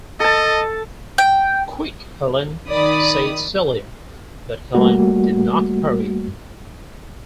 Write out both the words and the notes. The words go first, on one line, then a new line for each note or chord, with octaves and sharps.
"Quick, Helene," said Celia. But Helene did not hurry.
A4 D#5 A5
G5
D#3 D5 B5 D#6
G3 A3 A#3 F#4